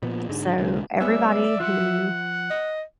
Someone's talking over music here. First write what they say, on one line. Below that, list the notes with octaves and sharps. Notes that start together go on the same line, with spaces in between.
So, everybody who
A#2 F3 B3
G#2 D3 G#3
C2 D3 F#3 G#3
G3 B3 C#4 D5 E5
F3 F#5
D#5